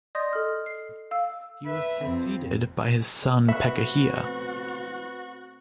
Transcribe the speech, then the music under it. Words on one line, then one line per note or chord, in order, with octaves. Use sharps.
He was succeeded by his son Pekahiah.
D5 D#5 C6 D#6 G6 A#6
A4 F6
C7
F5 E6
B4 E5
F2 C4
B2 A3 C4 F#4 B4 E5 B5